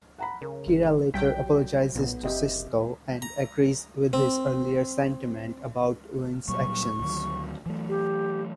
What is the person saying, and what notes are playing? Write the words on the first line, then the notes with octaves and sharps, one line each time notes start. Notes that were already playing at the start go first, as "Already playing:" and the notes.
Kira later apologises to Sisko, and agrees with his earlier sentiment about Winn's actions.
F#5 A#5 B5
C#3 A#4
G1
B1 F#3 G3 G5 G6 B6
B1 A#2 B3
F#1 C3 G4 D#5 E5
A#5
C4
A#2 F#3 G3 C#6
D2 D#3 F#3
E3 F#3 A3
G4